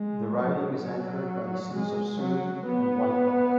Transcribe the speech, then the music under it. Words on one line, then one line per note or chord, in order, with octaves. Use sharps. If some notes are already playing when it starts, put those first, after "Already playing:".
The riding is anchored by the cities of Surrey and White Rock.
Already playing: G#3
F#3
F#3
G#3
F#3
B3